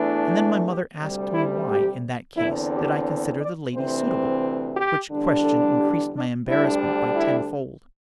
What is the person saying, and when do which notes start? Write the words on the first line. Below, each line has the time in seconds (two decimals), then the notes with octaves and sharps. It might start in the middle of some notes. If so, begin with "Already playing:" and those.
And then my mother asked me why, in that case, did I consider the lady suitable,--which question increased my embarrassment by tenfold.
Already playing: E2 E3 A3 D4
0.31 E4
0.66 G4
1.00 D2 C3 G3
1.34 E4
1.68 G4
2.37 E2 D3 C4 E4
2.71 G4
3.39 D5
3.73 D2 C3 E3 C4 C5
4.75 G4
5.10 E2 D3 G3 D4
5.45 A4
5.79 G4
6.12 D4
6.46 D2 D3 G3 D4 E4
7.15 E4